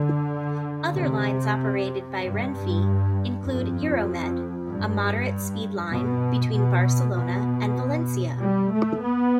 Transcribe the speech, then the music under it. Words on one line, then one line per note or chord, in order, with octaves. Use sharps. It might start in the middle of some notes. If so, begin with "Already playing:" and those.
Other lines operated by Renfe include Euromed, a moderate-speed line between Barcelona and Valencia.
Already playing: D3
C3
G2
F2
G2
B2
B2
B2
G3
A3
B3